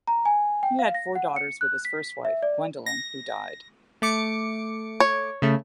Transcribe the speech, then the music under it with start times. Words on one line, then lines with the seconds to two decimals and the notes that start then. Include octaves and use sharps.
He had four daughters with his first wife, Gwendolyn, who died.
0.08 A#5
0.25 G#5
0.63 G5
0.79 F5
0.94 A#6
1.15 F#5
1.36 C#7
1.61 F#6
1.85 B6
2.25 E5
2.43 D5
2.86 A#6
4.02 A3 D6 C#7
5.00 C#5
5.42 C#3 A3